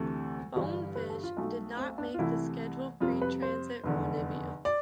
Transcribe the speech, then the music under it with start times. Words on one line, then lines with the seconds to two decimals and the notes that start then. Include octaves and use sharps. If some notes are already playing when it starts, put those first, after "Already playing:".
"Bonefish" did not make the scheduled pre-transit rendezvous.
Already playing: D2 C3 E3 A3
0.55 G1 G2 E3 G3
0.96 B4
1.10 A4
1.23 F4
1.37 B1 B2 A3
1.77 C4
1.98 D4
2.14 F4
2.18 C2 C3 E3 A3 E4
3.01 F2 C3 G3 F4
3.21 B4
3.42 C5
3.83 F1 E2 D3
4.65 D5